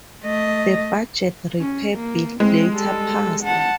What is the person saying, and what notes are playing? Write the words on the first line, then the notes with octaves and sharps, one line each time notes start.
The Budget Repair bill later passed.
A3 D#5
C#4
A#3
G#3 C4 E4
G3 A4
F#5 A5